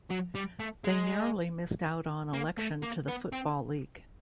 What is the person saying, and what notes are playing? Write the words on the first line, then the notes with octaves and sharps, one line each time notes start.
They narrowly missed out on election to the Football League.
F#3
G3
A3
G#3
A#3
A3
A#3
B3
C4